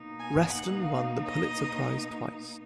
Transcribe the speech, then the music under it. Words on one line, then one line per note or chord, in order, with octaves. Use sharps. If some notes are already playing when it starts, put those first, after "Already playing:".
Reston won the Pulitzer Prize twice.
Already playing: B2 A#3 D#4
G#5
F#5
F5
D#5